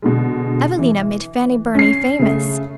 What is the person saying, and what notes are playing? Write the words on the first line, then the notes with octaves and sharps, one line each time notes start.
"Evelina" made Fanny Burney famous.
B2 D3 G#3
E3
C#4 C7
C#3 A3